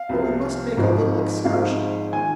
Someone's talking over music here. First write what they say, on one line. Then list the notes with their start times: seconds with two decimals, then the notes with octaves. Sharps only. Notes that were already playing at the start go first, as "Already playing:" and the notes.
But we must make a little excursion.
Already playing: F5
0.09 C2 C3 F3
0.77 G#1 G#2 F3
1.44 G#1 G#2 F3 F5
2.12 D#3 G#5